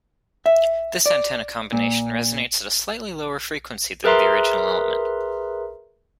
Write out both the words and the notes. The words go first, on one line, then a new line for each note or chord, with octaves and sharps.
This antenna combination resonates at a slightly lower frequency than the original element.
E5
D5
A#2
G#4 A#4 B4 E5 A#5 C6